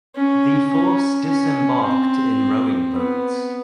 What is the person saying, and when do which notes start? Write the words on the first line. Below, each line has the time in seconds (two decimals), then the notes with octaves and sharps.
The force disembarked in rowing boats.
0.16 C#4
0.71 C#4
1.27 C#4
1.83 C4
2.93 B3